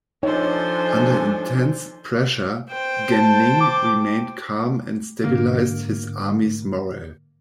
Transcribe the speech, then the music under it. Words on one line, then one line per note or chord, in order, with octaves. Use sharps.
Under intense pressure, Gan Ning remained calm and stabilized his army's morale.
F3 D4 D#4 A4 C5 C#5 G#5
C5 G5
A5
D6
G#2 D3 A#3